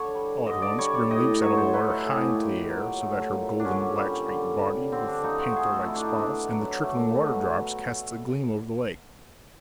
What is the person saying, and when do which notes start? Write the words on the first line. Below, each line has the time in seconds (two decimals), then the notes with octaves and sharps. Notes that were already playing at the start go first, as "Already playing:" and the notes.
All at once, Grim leaps out of the water high into the air, so that her golden, black-streaked body, with the panther-like spots and the trickling water-drops, casts a gleam over the lake.
Already playing: D3 C#5
0.15 G3
0.46 D3 D#5
0.62 D5
0.79 G3 C#5
0.95 D5
1.10 A2 D#5
1.41 F#3 C#5
1.58 C5
1.73 A3 B4
1.89 A4
2.05 A2 G#4
2.22 G4
2.37 A#2
2.69 F#3
3.01 A3
3.33 A#2
3.60 D4
3.65 D3 C#4
3.96 G3
4.28 D3
4.61 G3
4.92 D3 C4
5.08 D4
5.24 F3 D#4
5.40 F#4
5.56 A3 G#4
5.72 A4
5.87 D3 E4
5.96 D4
6.03 D#4
6.19 B2 D4
6.52 F#3
6.83 A3
7.15 B2